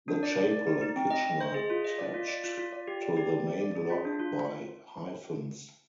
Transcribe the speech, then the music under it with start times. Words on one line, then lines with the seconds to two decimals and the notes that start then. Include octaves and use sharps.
The chapel and kitchen are attached to the main block by hyphens.
0.08 D4
0.23 D5
0.38 D5
0.51 D5
0.67 D#4
0.81 D#4
0.96 C4
1.10 D#5
1.26 D#5
1.41 C5
1.54 G#4
1.70 F4
1.84 D#5
1.99 D5
2.14 F4
2.28 D5
2.44 F4
2.57 F4
2.73 D5
2.87 G4
3.02 D5
3.17 G4
3.31 D5
3.47 D5
3.61 D5
3.75 G#4
3.90 F4
4.05 D4
4.19 F4